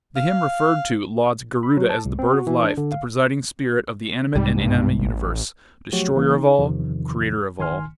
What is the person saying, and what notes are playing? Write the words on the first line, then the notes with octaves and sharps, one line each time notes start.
The hymn referred to lauds Garuda as "the bird of life, the presiding spirit of the animate and inanimate universe ... destroyer of all, creator of all".
F5
B5
F#3
A5
C2
C4
F#4
E3
D4
D3
F5
C2 G#2 G3
G2
A1
F3 F#3 A3 F#4 G4 C#5
G1 E3 A#3
D#4
E2 C3 D#3 F3
G#1 D#3 G#5 C6 F6